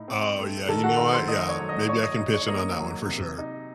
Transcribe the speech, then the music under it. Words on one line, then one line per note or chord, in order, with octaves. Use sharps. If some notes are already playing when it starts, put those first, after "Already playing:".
Oh, yeah, you know what? Yeah. Maybe I can pitch in on that one for sure.
Already playing: A2 D#4
C4
A3
D#3 A4 A5
F#4 F#5
D#3
C5 C6
A3 D#5 D#6
C#5 C#6
F#3
D#5 D#6
A2 C#5 C#6
D#5 D#6
D#4
C#5 C#6
A#3 D#5 D#6
F#3
C3
D#4